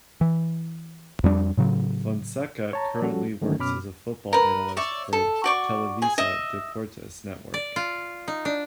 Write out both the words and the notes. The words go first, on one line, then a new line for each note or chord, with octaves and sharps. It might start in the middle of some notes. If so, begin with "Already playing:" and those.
Fonseca currently works as a football analyst for Televisa Deportes Network.
E3
F2 G3 B3 D4
A2 C#3 F#3
C#5 A5 A#5
F3 G3 C#4 F#4 A4
D3 D#3 F#3 A3 C#4
F#2 B2 C#4 B5 D6 F6
A#4 B4
C#5 D5 E5
A4
F#4 D5 C#6
G#4 G#5
D#5 E5
D5
F4
D#4
D4